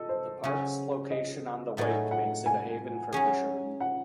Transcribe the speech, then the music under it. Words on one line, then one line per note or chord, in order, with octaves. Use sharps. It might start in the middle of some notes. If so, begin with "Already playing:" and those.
The park's location on the lake makes it a haven for fishermen.
Already playing: A4 D#5
C5
C#3 F#3 C#4
D#5
A2 F#3 A3 D#4 G#4
F#5
G#5
F#3 C#4 G#4
F#5